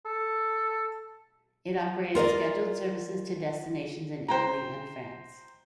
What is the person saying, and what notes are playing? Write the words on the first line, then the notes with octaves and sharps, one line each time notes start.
It operated scheduled services to destinations in Italy and France.
A4
F4 A#4 D5 D#5
C5 G5 A#5